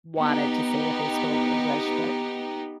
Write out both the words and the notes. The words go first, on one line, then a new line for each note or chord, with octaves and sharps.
wanted to say that they spoke English, but
B3 D#4 G4